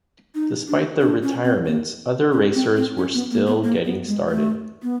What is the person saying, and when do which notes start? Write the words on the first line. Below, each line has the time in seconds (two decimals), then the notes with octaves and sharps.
Despite the retirements, other racers were still getting started.
0.35 D#4
0.68 D4
1.01 D4
1.23 C#4
1.44 C4
1.66 A#3
2.32 C#4
2.53 C4
2.76 C4
2.98 C#4
3.14 B3
3.31 A#3
3.47 B3
3.64 A#3
3.84 B3
4.06 G#3
4.29 A3
4.83 B3